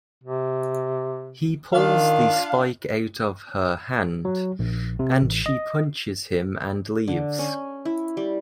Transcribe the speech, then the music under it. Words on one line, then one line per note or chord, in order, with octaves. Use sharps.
He pulls the spike out of her hand, and she punches him and leaves.
C3
D#3 D4 F4 F5
F#3
A#1
C3
A1
D#5
D3
C#4
E4
G3